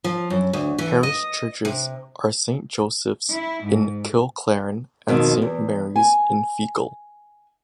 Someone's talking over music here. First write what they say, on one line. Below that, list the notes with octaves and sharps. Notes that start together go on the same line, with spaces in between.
Parish churches are Saint Joseph's in Kilclaren and Saint Mary's in Feakle.
F3
F#2
D2
E3
D#5
C3
E4
G#2
F2 B2 D#3
E2
G#5